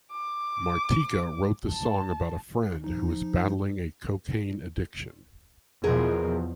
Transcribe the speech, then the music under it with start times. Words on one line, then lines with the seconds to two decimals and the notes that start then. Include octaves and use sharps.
Martika wrote the song about a friend who was battling a cocaine addiction.
0.12 D6
1.70 A5
2.84 F3 D#4
5.84 E2 B2 F3 G#4 A#4